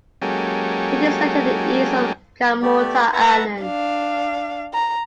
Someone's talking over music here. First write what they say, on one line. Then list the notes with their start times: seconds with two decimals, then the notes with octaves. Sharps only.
It is located east of Kamorta island.
0.22 F#3 G#3 A#3 C#4 G4 A4
2.62 A3 B3 G4 D5
3.13 B4 E5 F#5 A5 A#5
3.63 D4 F5
4.74 A#5